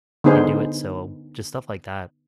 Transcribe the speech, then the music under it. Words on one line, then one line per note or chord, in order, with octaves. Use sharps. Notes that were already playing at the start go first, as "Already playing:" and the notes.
into it so, just stuff like that,
D3 B3 D#4 G#4 C5